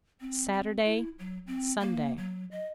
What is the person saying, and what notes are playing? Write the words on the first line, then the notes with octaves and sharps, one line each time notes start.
Saturday, Sunday.
C4
C4
E4
F#3
C4
A#3
F#3
D#5